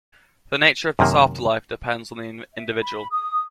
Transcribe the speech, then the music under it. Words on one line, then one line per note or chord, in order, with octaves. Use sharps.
The nature of this afterlife depends on the individual.
F#2 C3 D#3 A#3
E5
B5
D#6